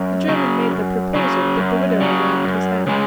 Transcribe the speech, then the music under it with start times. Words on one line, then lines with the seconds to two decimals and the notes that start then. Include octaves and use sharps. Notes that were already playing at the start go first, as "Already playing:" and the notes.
The German made the proposal, but the widower waved his hand.
Already playing: F#2
0.28 C#3 F#3
0.71 F#2
1.15 C#3 F#3
1.57 F#2
2.00 C#3 F#3
2.44 F#2
2.87 C#3 G#3